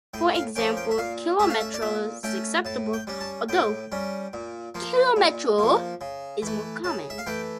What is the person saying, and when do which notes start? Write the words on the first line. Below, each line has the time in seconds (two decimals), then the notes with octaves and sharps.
For example, "kilometro" is acceptable, although "kilometro" is more common.
0.14 A2 G5
0.35 F5
0.56 F3 A#3 C#4 G5
0.77 G5
0.91 E5
0.98 A#2 F5
1.39 A3 C#4 E5
1.50 F5
1.61 E5
1.74 D5
1.82 A#2 E5
2.23 A3 C#4 G5
2.65 A2 A5
2.93 G5
3.07 G3 C#4
3.21 A5
3.49 A2 G5
3.92 G3 C#4
4.33 A#2
4.75 F3 A#3
5.16 A#2
5.58 F3 A#3
6.01 C#3
6.42 E3 A3
6.84 C#3 A5
7.10 E5
7.18 F5
7.26 E3 A3 G5